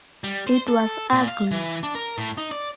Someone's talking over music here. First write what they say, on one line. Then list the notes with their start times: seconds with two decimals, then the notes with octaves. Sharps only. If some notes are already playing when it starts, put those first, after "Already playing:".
It was ugly.
0.24 G3
0.47 C5
0.68 A4
1.13 A#2
1.28 F5
1.51 E3
1.83 D4
1.95 A#4
2.18 A2
2.38 D#4
2.51 D5